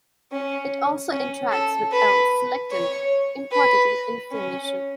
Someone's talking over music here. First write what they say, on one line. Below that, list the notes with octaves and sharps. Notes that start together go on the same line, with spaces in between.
It also interacts with L-selectin, important in inflammation.
C#4
C#4
A4
B4
C#5
B4
C#4